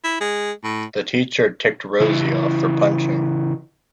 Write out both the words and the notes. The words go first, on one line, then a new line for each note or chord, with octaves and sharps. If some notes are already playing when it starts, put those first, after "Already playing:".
The teacher ticked Rosie off for punching.
E4
G#3
A2
C#3 E3 E4